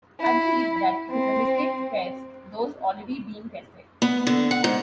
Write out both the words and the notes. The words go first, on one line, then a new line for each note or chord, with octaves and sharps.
I believe that it is a mistake to test those already being tested.
E4
C4
B3
D3
F#5
G#2